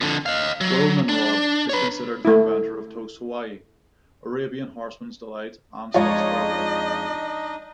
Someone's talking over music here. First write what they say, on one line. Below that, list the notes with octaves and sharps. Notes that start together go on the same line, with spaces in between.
Wilmenrod is considered the inventor of Toast Hawaii, "Arabian Horseman's Delight" and "stuffed strawberry".
F2 D3
D#5 F5
F#3
D4
B4 C#5
A3 E4
F2 G#3 D4 D#4 F4 C#5 D#5